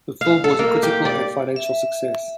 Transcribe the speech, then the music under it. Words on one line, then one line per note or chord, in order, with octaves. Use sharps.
The film was a critical and financial success.
F5
A4
A#3
G4
D5
E5